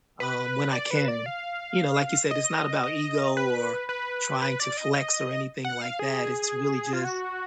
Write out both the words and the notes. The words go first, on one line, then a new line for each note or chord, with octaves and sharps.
um, when I can. You know, like you said, it's not about ego, or trying to flex, or anything like that, it's really just
B4
D5
B4
D5
F5
D#5
D#5
B4
B4
B4
D5
D#5
F#5
F5
G#4
F4
F#4